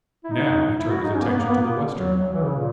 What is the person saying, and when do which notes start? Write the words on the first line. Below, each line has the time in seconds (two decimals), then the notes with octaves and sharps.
Now he turned his attention to the western dial.
0.24 E4
0.32 D#4
0.79 E4
0.90 F#4
1.03 D#4
1.14 C#4
1.21 A#3
1.26 B3
1.38 A#3
1.50 B3
1.61 A#3
1.97 F#3
2.21 F#3
2.33 E3
2.44 C#3
2.56 A#2